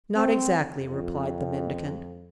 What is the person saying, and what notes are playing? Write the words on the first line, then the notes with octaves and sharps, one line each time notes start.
"Not exactly," replied the mendicant.
C4
F2